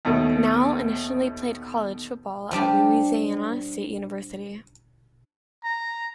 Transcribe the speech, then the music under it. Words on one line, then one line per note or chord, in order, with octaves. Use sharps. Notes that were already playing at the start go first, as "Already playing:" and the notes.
Nall initially played college football at Louisiana State University.
D#2 B2 A3
F3 G3 D4 G4
A#5